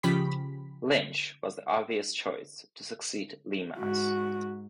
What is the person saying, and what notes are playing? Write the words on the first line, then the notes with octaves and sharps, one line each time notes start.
Lynch was the obvious choice to succeed Lemass.
C#3 F3 G4 B5 B6
G#2 F#4